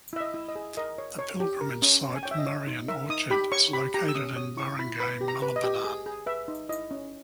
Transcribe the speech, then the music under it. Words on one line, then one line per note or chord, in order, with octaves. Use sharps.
The pilgrimage site "Marian Orchard" is located in Barangay Malabanan.
E4 E5
D#5
E4
D#5
G#4
A#4 D#5
C#5
C#5
G4
A#4
C#4
C#5
G#5
C#5 G5
E5
D#5
C#5
D#4
A#4 E5
D#4 D#6
G4 B5
C#5 C#6
G4 B5
G4 A#5
E6
C#4 D#6
C#5 D#6
E4 C#6
E4 B5
B4 B5
G4
A#5
B4
D#5
G4
G#4
G#4
B4 E5
D#4
E4 D#5
C#4